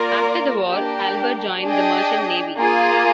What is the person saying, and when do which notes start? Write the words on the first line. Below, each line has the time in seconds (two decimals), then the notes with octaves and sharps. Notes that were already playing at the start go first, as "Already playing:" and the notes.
After the war, Albert joined the Merchant Navy.
Already playing: A#3 F4 A#4 D5
0.69 A#3 D4 G4
1.63 D4 G#4 D#5 G5
2.57 A#3 F4 G#4